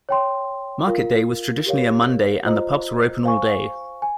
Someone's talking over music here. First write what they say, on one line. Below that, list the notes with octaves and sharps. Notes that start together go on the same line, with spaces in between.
Market day was traditionally a Monday and the pubs were open all day.
C#5 G5 C6
F4 A#4 F5
G4 A#4 C#5 F5
F4 C5 D#5 A#5
C5 F5 G#5 C#6
G#5